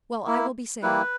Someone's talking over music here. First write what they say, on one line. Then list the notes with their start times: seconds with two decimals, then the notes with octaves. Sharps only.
"Well, I will be sad."
0.27 A#3 E4
0.83 G3 A#3 E4 B4